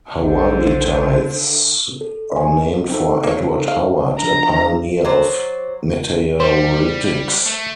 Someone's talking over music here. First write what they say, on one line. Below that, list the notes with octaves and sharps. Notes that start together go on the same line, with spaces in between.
Howardites are named for Edward Howard, a pioneer of meteoritics.
A#1 D3 C5
A4
G#5
C4 D#4 A4
A#3 C#5
F5
F3 D4 A#5
F#3 C5 D5
G3 C5
A3